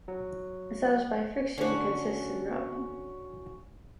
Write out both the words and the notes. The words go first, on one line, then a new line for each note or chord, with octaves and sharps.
Massage by friction consists in rubbing.
F#3
D3 C#4 D4 F#4